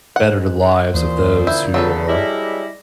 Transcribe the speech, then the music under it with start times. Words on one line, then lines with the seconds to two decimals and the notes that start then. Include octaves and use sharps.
better the lives of those who are
0.16 G#2 F#5 F#6
0.94 D#2 A#2 E3 C#4 G#4 C5
1.47 D3 E4 G6
1.74 C#3 F#3 A4 B4
2.08 G3 G#3 E4 D5 D6 A#6